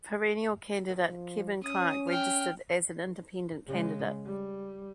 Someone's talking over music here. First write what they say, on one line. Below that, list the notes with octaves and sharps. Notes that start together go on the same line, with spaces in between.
Perennial candidate Kevin Clarke registered as an Independent candidate.
F3
C#4 D#6
G5 F6
C#3 G#3
G3